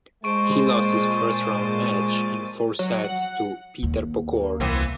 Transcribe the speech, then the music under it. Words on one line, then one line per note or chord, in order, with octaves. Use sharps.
He lost his first round match in four sets to Peter Pokorny.
A#2 G#3 C5 A5 C#6 A6 D7 D#7
F#3
F#5
D#2
A#3
C2 E3 B3 C4